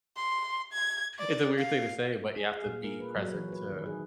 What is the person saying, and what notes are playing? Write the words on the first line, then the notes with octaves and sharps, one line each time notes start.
It's a weird thing to say, but you have to be present to
C6
G#6
D5
F5
G#4
F5
A#2
A#4
B4
F#3
E3
B4
D#3
G#4